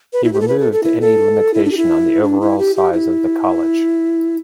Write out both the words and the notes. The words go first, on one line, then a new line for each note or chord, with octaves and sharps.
He removed any limitation on the overall size of the College.
B4
E4
G4
A4
B4
A4
A4
E4
A4
E4
D4
G4
E4
D4
E4
G4
G4
E4